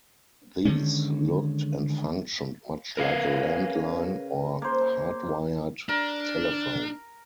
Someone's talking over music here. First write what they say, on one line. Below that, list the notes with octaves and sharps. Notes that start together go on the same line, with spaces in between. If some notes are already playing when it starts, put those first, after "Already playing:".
These looked and functioned much like a landline, or hardwired, telephone.
D3 D#3 G#3 C#4
A#4 B4 F5
C#3
A#3 C5
D4 A#4